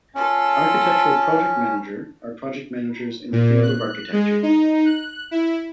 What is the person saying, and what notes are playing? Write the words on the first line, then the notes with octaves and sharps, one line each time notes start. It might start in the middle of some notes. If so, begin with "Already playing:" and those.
Architectural project manager are project managers in the field of architecture.
C#4 F4 A4 A5
A#2
F#6
G#3
D#4
F#6
E4